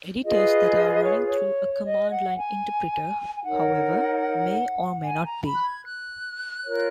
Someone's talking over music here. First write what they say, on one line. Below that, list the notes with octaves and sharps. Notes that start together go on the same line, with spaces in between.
Editors that are running through a command-line interpreter, however, may or may not be.
F4 G#4 B4 D#5
C#5
C#5
D#5
F#5
G#5
G#5
D#4 A#4 C#5 F#5
G#5
A#5
B5
F#6
G#6
F#6
F4 A#4 C#5